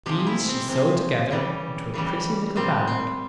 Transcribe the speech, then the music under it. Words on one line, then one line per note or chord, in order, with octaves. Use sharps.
These she sewed together into a pretty little bag.
C3 F3 G#3 G4
E4
C4
C3 F3 G#3 C4
C#3 E3 G3
C#3 E3 G3
A#2 G3 C4
C4